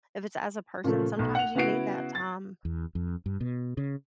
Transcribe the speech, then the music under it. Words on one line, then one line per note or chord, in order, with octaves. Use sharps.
If it's as a person, sometimes you need that time
A#2 C#3 F3 A3
B1 A3
F#5 F7
C#3 B3 E4 F#4 C7 D7
A6
E2
F2
G2
B2
C#3